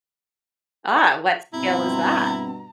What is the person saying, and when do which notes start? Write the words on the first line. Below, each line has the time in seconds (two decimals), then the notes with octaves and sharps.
Ah, what skill is that?
1.53 G2 B2 C4 E4 A#5